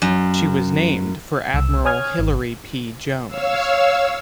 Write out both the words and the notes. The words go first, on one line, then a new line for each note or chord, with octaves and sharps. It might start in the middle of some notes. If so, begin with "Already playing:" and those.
She was named for Admiral Hilary P. Jones.
F#2
C2 E6
C#5 G#5 D#6 F6 G#6
G#1
C#5 F5 E6